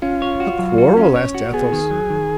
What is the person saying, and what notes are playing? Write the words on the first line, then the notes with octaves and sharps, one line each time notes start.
"A quarrel?" asked Athos.
C#4 F4
C#5
F#4
F#3
F#4
C#4
C#5
F#4
B3 G#4
D#3
F#3
D#3